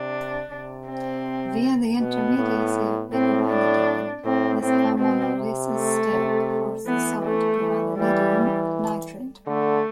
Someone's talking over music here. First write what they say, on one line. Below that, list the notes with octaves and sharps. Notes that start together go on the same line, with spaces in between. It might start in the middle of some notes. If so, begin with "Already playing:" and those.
Via the intermediacy of biguanidine, this ammonolysis step affords the "salt" guanidinium nitrate.
Already playing: C3 D4
C3
C4
B2 B3
A2
A2 C4
D4
A2 C4
A2 C4
B2 C4
C3
A3
C3
E3 B3
A3
E3
E3 G3
D3 A3